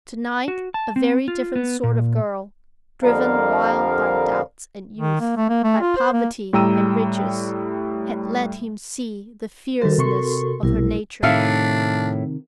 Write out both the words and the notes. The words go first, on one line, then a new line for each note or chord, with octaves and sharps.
To-night a very different sort of girl--driven wild by doubts and youth, by poverty and riches--had let him see the fierceness of her nature.
F#4
A5
C4
F4
B3
A#2
F2 D3 F3 G3 A#4 F5
D#3
A#3
A3
A#3
A3
F4
C5
A#3
A2 G3 G5 A#5 E6 D#7
D#3 G3 F#4 A4 A#4 C5
C3 C6 C#6
B1 C3 G3 E4 A#4
A2 C3 D#3 D4 E5 F5